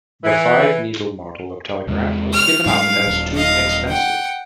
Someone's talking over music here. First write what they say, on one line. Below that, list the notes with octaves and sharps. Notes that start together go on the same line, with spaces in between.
A five needle model of telegraph was given up as too expensive.
E3
E2 C3 G#3
F6
G#2 F#3 G3 F5
D#1 F#3
D#5 F5
F#5 G5